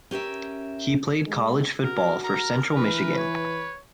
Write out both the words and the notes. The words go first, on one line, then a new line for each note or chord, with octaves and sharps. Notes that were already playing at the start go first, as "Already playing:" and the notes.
He played college football for Central Michigan.
C#4 G4 A#4 E5
G#3
F#4 A#4
A#4 A#5
E3 B4
C#5